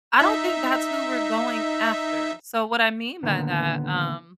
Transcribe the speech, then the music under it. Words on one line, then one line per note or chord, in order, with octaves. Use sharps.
I don't think that's who we're going after. So what I mean by that, um,
D#4 E5
D2 A#2 D3 D#3 B3